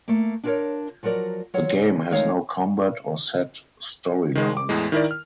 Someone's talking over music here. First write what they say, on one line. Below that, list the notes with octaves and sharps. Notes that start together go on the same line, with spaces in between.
The game has no combat or set storyline.
A3 A#3
D4 E4 F4 A4 A#4 C#5
F3 F#3 F#4 A#4 D5
F#3 F4 C#5 F#5
C#3
D#3 G#3 A3 D#4 C#5 F5
D#3 G#3
D6
E2 A2 G#3
D#3 E4 A#4 D5
F6